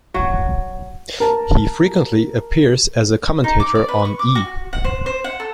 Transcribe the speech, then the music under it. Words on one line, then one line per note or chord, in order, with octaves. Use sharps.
He frequently appears as a commentator on E!
F#3 F#4
A#4 A5
D#4
D6
D5
B4
C#6
D6
F#4
F#5
C5
C5
F#5
A4